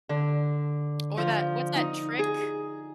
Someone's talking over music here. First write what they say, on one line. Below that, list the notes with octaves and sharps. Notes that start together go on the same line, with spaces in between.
Or that what's that trick?
D3
F3
D#4
G#4